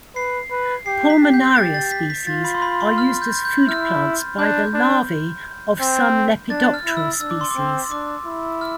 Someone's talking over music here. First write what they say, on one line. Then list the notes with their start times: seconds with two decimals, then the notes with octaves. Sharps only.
"Pulmonaria" species are used as food plants by the larvae of some Lepidoptera species.
0.16 B4 C7
0.51 B4
0.86 G4 C7
1.10 B6
1.22 G4
1.34 G6
1.56 G4 A6
1.74 A6
1.92 B6
2.10 B6
2.27 F4 A6
2.44 B5
2.55 C6
2.62 B5
2.80 C6
2.98 F6
3.22 G6
3.45 G6
3.68 E4 F6
4.38 D4 G6
4.74 D4
5.80 C4
6.50 D4 A6
6.74 F6
6.86 E4
6.97 E6
7.21 D4 E6
7.31 D6
7.41 C6
7.51 D6
7.56 C4
7.91 D4 D6
8.26 E4
8.61 F6